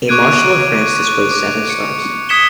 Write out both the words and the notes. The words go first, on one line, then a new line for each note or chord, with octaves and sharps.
A Marshal of France displays seven stars.
C#6 D6 F#6 G#6 D7 D#7
D7
D6
C#7
D#6 G#6 B6 C#7 E7 G7